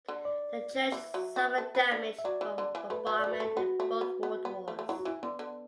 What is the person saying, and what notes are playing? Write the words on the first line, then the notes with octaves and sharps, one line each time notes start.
The church suffered damage from bombardment in both World Wars.
D3
D5
E3 E5
F#3
F#4
A4
B4
D4
E5
F#3 D5
E3
D3
E3
A3 B4
F#3 E5
F#3 D5
B4
A3 A4
B3 F#4
A3
B3
B3
B3
A3
A3
F#3 E4
F#4
E3 E4
D3 B3
D3